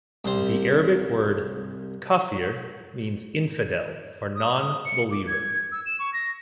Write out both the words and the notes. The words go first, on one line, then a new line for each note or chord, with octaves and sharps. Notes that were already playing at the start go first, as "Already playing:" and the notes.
The Arabic word "kafir" means infidel or non-believer.
C2 C5
D#6
D#6
C#7
D6
G#6
E6
E7
C#6
A#6